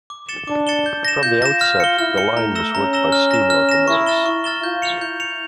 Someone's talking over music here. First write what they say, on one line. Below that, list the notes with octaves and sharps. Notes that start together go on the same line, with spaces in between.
From the outset, the line was worked by steam locomotives.
D6
A6 C#7 E7 G7
D4 D6
A6 C#7 E7 G7
G6
A#6 E7
F4 G6
A#6 E7
F6
C#7 G7
E4 F6
C#7 G7
A3 A#5
E6 A#6 E7 G7
C#4 A#5
E6 A#6 E7 G7
F6
A#6 E7
F6
A#6 E7
E4 C#6
F6 A6 E7 G7
E4 C#6
F6 A6 E7 G7
F4 G6
C#7 F7
E4 G6
C#7 F7